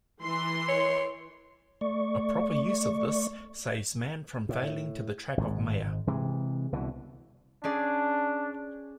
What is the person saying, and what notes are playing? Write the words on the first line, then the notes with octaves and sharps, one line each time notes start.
A proper use of this saves man from failing to the trap of maya.
E3 C6
C#5
A3 D5 C#6
A2
G#1 G#2
C3 E3 G#3
C2 B2 D3 E3
C#4 D4 G#4 D5